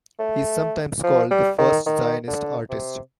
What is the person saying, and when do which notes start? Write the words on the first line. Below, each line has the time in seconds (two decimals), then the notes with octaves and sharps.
He is sometimes called the first Zionist artist.
0.19 A3
1.03 F3
1.31 G3
1.58 D#3
1.86 D#3
2.28 D3
2.70 C3